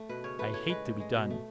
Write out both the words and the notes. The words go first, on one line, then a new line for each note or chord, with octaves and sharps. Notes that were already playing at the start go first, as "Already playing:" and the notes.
I hate to be done.
Already playing: A3
B2 B4
C#3 C#5
A3 B4
A2 C#5
G#3 B4
A2
G#3
B2
A3